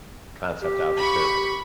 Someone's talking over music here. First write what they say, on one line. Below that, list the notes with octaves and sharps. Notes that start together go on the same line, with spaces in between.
concept album too.
G4
B5 C#6